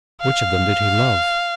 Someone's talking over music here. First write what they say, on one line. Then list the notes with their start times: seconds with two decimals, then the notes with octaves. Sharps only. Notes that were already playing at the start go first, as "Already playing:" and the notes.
Which of them did he love?
0.21 F5